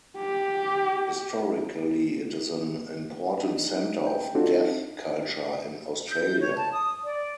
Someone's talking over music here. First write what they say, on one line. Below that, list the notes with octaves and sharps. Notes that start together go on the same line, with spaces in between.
Historically it is an important centre of deaf culture in Australia.
G4
D4 D#4
G5
C4 D4 D#4 F4 F#4 A4
G6
C#5
A5
D#6
D5